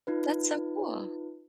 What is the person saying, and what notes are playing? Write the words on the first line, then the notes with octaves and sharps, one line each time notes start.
That's so cool.
D#4 F4 B4